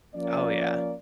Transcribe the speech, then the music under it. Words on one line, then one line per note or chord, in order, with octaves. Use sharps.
Oh, yeah.
F3 A#3 C#4 D5